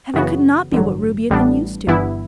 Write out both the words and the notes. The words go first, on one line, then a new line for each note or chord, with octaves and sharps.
Heaven could not be what Ruby had been used to.
F#2 C#3 E3 B3 F#4
A1 G2 D3 F#3
A1 A2 G3 B3 D4
G1 G2 E3 B3 E4